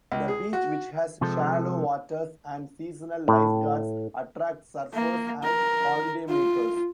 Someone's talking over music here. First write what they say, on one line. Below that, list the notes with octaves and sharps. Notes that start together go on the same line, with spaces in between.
The beach, which has shallow waters and seasonal lifeguards, attracts surfers and holidaymakers.
C#2
G#4
F#4
C3 F3 G#3 A4 C5
A2
A#3
A#4
F4